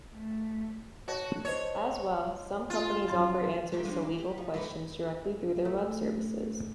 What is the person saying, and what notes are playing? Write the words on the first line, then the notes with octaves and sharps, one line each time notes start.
As well, some companies offer answers to legal questions directly through their web services.
A3
F#4 C#5 A5
C5 C#5 D#5 A5
F4
F#2 C6 A6
G#3 A3 C#4 G4 A#4
F3 G#3 C4 D4 F#4 G4
A#3
G4
F3
A3 A#3 D#4 B4 C#5
A3